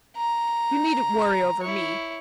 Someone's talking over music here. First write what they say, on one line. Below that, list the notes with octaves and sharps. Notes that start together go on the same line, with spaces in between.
You needn't worry over me.
A#5
E4 C#5